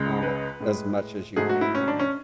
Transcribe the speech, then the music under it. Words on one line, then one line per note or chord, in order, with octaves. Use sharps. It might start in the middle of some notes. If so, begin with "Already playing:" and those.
um, as much as you can,
Already playing: C#2 C#3 G#3
B4
A2 G#3
G#2 F#3 A3 G#4
F#4
E4
C#4
D4
C#4